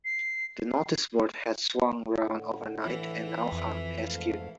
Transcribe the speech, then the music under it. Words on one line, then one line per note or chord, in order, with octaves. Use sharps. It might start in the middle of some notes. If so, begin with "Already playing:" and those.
The noticeboard had swung round overnight, and now hung askew.
C7
A2 D3
E3 E4
F2
G#2 A3 F5